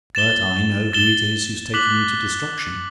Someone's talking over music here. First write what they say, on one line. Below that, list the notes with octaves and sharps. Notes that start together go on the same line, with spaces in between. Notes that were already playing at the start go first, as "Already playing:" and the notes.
But I know who it is who's taking you to destruction.
A6 E7 G7
A6 E7 G7
D6 F#6 B6 F#7